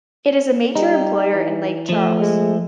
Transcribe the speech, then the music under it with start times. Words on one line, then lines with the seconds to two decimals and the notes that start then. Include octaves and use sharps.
It is a major employer in Lake Charles.
0.75 G3 D#4
1.33 E3
1.89 F3 A3
2.20 G#3